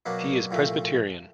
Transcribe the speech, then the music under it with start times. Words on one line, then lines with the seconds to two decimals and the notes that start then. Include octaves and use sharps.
He is Presbyterian.
0.06 B2 F#3 A#3 D4
0.51 C2 A#2 F3 A3